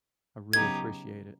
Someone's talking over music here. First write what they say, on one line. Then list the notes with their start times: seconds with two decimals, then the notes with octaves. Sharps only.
I really appreciate it.
0.53 C#3 F#3 B3 D#4 G4 G#6